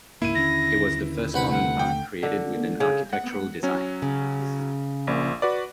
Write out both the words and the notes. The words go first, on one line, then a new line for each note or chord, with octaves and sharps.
It was the first modern park, created with an architectural design.
C#2 G#2 A#3 E4 D#7
D#2 D3 C#4 A#6
C2 B4 F#5 B5
D#2 D3 A3 F#5
G5
D3
C#3
F#5
F#3 C#4
C#3
A#1 A#2
F#4 B4 D5